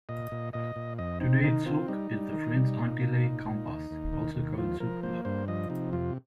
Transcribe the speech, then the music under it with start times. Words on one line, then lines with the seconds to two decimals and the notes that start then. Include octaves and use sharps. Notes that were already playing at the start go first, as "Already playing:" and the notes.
Today, zouk is the French Antilles compas, also called zouk-love.
0.09 A#2 D#5
0.32 A#2
0.53 A#2 D#5
0.76 A#2
0.98 F2 D#5
1.20 C4 D#4
1.44 D#3 D#4
1.65 C4 F4
1.88 G3 D#4
2.11 G3
2.33 D#3
2.56 G3
2.78 A#2
3.01 A#3
3.23 A#2
3.45 A#2
3.68 D#2
3.91 D#2
4.13 D#3
4.35 D#2
4.58 F3 F4
4.80 F3 A#4
5.03 A#3 C5
5.25 G2 C5
5.48 F3 D#5
5.70 C3 D#4
5.93 F2 F4